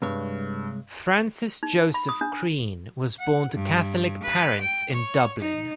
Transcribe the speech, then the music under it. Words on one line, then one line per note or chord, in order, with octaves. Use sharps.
Francis Joseph Crean was born to Catholic parents in Dublin.
C2 G2 G#3 C#5
D#4
B5
D#6
D4
F#5
G2
B4
G5
C#5
D#4